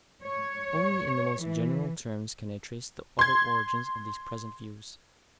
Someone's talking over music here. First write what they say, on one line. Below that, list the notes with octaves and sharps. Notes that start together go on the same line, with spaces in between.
Only in the most general terms can I trace the other origins of these present views.
C#5
E3
C6 G#6